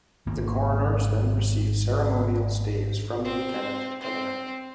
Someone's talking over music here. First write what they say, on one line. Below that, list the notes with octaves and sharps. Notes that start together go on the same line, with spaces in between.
The Coroners then receive ceremonial staves from the Lieutenant Governor.
G#1 A#3
C4
C4